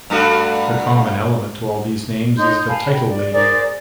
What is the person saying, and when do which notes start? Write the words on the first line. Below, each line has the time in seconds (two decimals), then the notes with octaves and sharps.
The common element to all these names is the title Lady.
0.10 G2 A3 F#4
2.37 D#4 C#5 C6 G6
2.68 F5 G#5 A5 B5
2.90 G5 B5
3.08 D5
3.32 G#4 A#4 C5 D5